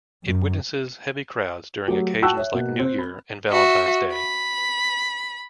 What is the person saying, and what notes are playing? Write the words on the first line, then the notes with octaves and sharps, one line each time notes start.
It witnesses heavy crowds during occasions like New Year and Valentine's Day.
F#2
F#3 A3 G4
F#4 G5 A5 C#6 E6 F#6
C#5 E5
B2 A#3
C4
B5
F#4 E5
B5